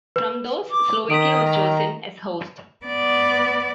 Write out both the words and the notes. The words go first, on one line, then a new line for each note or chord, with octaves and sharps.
From those, Slovakia was chosen as host.
B4
D6
D#3 D#6 B6 D7
A#5
B3 D5